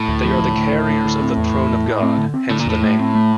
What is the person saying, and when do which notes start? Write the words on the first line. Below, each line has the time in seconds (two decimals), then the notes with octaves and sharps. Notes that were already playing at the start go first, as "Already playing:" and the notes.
They are the carriers of the Throne of God, hence the name.
Already playing: A2
0.08 D2
0.24 F3
0.41 D2
0.57 D2
0.73 D2
0.89 D2
1.05 D2
1.22 C4
1.37 E2
1.54 E2
1.70 E2
1.86 A3
2.02 C4
2.18 D3
2.34 C4
2.50 A2 D3
2.60 A#2
2.66 E2 A2
2.83 A3
2.99 C4
3.15 A3